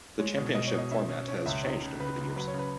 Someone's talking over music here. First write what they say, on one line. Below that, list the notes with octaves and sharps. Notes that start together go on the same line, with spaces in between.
The championship format has changed over the years.
G#3 C#5
B2
B2 D#5
C#5
B2 D#5
C#4 E5
C#4
C#4 C#5
C#2 E5
D#4 C#5
C#3
C#3 B4
C#3
F#3 B4
C#5
C#3
B4